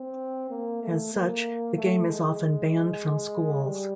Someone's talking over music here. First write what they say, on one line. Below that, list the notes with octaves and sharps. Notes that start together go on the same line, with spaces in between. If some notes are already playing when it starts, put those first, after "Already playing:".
As such, the game is often banned from schools.
Already playing: C4
A#3
A3
A#3
A3
G#3
G3